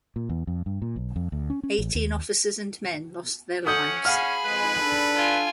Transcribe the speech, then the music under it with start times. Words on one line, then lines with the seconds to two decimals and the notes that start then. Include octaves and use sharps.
Eighteen officers and men lost their lives.
0.16 A#2
0.29 E2
0.47 F2
0.66 G2
0.82 A#2
0.96 B1
1.16 F2
1.32 D2
1.50 C#4
1.63 C#4
1.79 A1
1.95 D#2
3.66 C#4 A4 F#5 D#6 G6
4.05 G#4 F5 F#5 B5 F6
4.46 F2 G#3 B4
4.81 D4 A4
5.15 F4 G#5